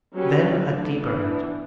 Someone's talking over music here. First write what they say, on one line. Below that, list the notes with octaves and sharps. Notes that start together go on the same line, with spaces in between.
Then a deeper matter.
F#3 C#4 G4 B4
D3 A3 D4
E3 B3 D4